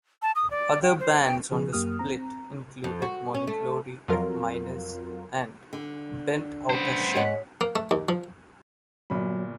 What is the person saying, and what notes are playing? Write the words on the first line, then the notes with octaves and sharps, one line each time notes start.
Other bands on the split included Morning Glory, F-Minus, and Bent Outta Shape.
A5
D#6
D5
G5
C5
G5
C#3 F3 G#4
F#2 A#3 G4 D#6 F6
C4 A#5
F2
F#4
C#4
A3
F2 F#3 F4 A#4
D3
B3 C5
G#2 C#5 F#5
A#3
A3
D#2
F3
G1 A#2 F#3 B5